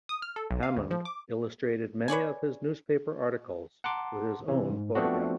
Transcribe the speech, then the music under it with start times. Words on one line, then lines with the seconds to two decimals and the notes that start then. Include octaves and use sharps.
Hammond illustrated many of his newspaper articles with his own photographs.
0.09 D#6
0.22 F6
0.36 A4
0.51 B1
0.63 F5
0.76 D2
0.91 F3
1.05 D6
2.08 B4 C#5 D5 G#5
3.84 F#5 A5 A#5 C6 D6
4.48 C3 E3
4.70 G#2
4.95 F3 A3 B3 C4 D4 F#4